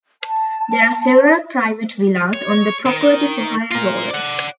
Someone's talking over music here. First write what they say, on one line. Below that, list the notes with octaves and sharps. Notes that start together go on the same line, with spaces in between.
There are several private villas on the property for high-rollers.
A5
C#5
D#3
F4 A#4
D5 F#5